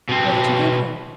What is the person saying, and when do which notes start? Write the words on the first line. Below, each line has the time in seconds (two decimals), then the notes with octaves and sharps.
'What did you give her?'
0.09 B2 C4